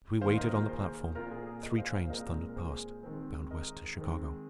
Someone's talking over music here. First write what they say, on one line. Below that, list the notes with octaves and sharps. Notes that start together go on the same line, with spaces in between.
As we waited on the platform, three trains thundered past, bound west to Chicago.
D#3 A#3 C5 F5
A#4 D#5
F4 A#4
G#4 C5
A#2 A#3 F4 A#4
G#4
G#4
A#4 D#5
C5 F5
C5 F5
A#2 G#3 C4 A#4 D#5
A#4
G#4 C5
D#3 G#3 C4
A#4 D#5
D#3 G#3 C4